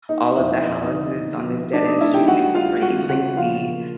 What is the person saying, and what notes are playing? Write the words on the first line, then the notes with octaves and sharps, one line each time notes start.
all of the houses on this dead-end street, and it was a pretty lengthy,
A#3 D#4 D#5
F2 E4 E5
F2 D#5
D5
D#4 D#5
D3
A#2
F3
A3 D4 D5
D#4 D#5
A3 E4 E5
G4 G5
G3 F#4 F#5
G3 F4 F5
G3 F#4 F#5
C#3 F#4 F#5
F3 F4 F5
A#3